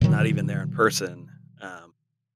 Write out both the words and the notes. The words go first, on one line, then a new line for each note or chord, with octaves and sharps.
not even there in person, um,
A#2 D3 D#3 F#3